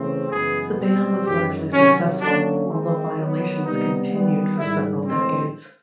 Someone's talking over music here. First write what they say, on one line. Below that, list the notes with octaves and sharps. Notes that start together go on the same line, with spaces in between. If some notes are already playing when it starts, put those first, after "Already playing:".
The ban was largely successful, although violations continued for several decades.
Already playing: C#3 E3 A3 C4
F#2 C#3 E3 G#3 B3 G#4
B2 G3 C4
F#2 D#3 G#3 G4
C3 D#3 F#3 C#4
D3 F#3 A#3 C#4 D4
D#3 G#3 C4
D#3 F#3 B3
C3 D#3 G3 B3 D#4
D#3 G3 B3
G#2 D#3 G3 E4
A2 E3 G#3 C4